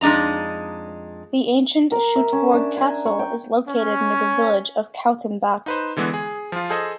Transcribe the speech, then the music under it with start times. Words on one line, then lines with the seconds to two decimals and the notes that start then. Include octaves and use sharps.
The ancient Schuttbourg Castle is located near the Village of Kautenbach.
0.01 F2 G#3 D4 D#4 A#5
1.92 A#4
2.16 E5
2.33 C#4
2.53 D4
2.77 G#5
3.06 C#6
3.19 G5
3.68 C#4
5.66 D#4 B4 C5
5.97 D3 E3 G#3 B3
6.14 G#4
6.52 F3 F4
6.70 G#4 A4 C5 D#5 G#5